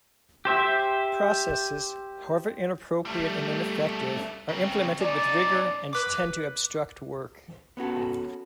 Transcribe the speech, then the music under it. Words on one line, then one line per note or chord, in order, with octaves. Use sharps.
Processes, however inappropriate and ineffective, are implemented with rigor and tend to obstruct work.
G4 C5 E5
G3 A3
C#3 C4
C#4 D#4 D5
B4 D6
B3 C#4 F#4 A4